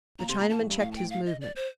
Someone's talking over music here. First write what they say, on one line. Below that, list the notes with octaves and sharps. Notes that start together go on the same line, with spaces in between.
The Chinaman checked his movement.
A#2 A#5
C3 C6
A#2 A#5
A#2 A5
A2
G2
A2 F5
A5
G5
F5
D#5
D5
C5